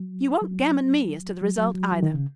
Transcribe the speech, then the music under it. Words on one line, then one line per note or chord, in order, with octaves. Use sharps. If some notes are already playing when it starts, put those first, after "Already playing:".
You won't gammon me as to the result, either.
Already playing: F#3
F#3
F#3
F#3
F#3
F#3
D#3
C#3